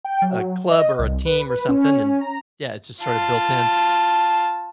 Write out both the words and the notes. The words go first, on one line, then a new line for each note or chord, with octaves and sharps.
a club or a team or something, and Yeah, it's just sorta built-in,
G5
F#3
D#5
C2
B4
B4
C#4
A#5
F4 A5